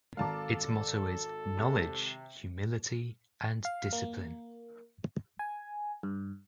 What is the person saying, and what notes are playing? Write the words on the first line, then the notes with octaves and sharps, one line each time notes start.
Its motto is "Knowledge, Humility and Discipline".
G#1 A4 F5 A5 A#5 D6
C3
F5
A#3
G#5
G2